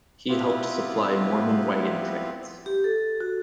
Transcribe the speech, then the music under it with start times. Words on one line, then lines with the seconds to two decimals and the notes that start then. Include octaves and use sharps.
He helped supply Mormon wagon trains.
0.29 B3 C4 E4 F4 G4 B4
2.66 G4
2.84 A4
3.20 F#4